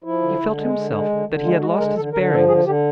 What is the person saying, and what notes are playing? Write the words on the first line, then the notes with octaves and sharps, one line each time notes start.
He felt himself that he had lost his bearings.
F3 E4
D3
D3
G#3
D3
G#3
D3
D3
G#3 F4
G#3 F#4
D3 A#4
D3 A4
D3 A#4
F3 A4
D3 G#4
D3 G4